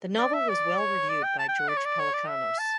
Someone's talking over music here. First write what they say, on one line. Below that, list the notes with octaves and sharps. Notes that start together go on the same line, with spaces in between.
The novel was well-reviewed by George Pelecanos.
D5
E5
D5
C#5
D5
G5
A5
G5
F#5
D5
C#5
D5
C#5
D5
E5
A5